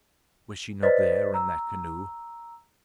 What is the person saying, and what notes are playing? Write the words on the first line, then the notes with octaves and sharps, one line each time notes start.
Was she not there in that canoe?
B4 C5 D5 D#5 A6 B6
A#5 E6